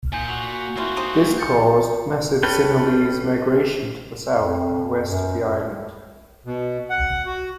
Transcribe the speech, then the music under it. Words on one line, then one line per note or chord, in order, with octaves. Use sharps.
This caused massive Sinhalese migration to the south and west of the island.
A#2 D#4 G#5 G6
F#4 F7 F#7
G3 A#3 C4 E4 F4
D#4 G4 C5
G6 A6 C#7
C#4 A4 B4 G5
F2
F#2
B2
F#5
F#4